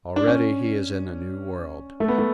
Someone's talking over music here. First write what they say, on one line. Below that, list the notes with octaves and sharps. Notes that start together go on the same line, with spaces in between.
Already he is in a new world.
D4
C#4
A3
B3
A3